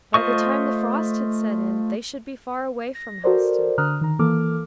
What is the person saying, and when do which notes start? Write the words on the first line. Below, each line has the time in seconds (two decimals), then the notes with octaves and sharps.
By the time the frost had set in, they should be far away from Helstone.
0.14 A3 F4 C5 D#5 C#6
2.95 A#6
3.24 F#4 A4 A#4 C5 D5
3.78 D3 A#5 D#6 F6 F#6
4.01 D#3 A#5
4.19 E3 A#3 A4 D6 F6